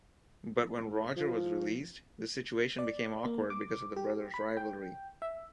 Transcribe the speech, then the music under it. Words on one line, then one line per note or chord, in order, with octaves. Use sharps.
But when Roger was released, the situation became awkward because of the brothers' rivalry.
F3
D5
A#3
D6
G4
B5
G5
E5